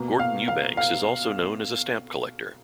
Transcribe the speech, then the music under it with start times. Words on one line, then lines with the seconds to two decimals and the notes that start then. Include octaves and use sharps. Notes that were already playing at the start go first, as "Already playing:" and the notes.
Gordon Eubanks is also known as a stamp collector.
Already playing: B2 A#3
0.20 F5
0.48 F5
0.77 F5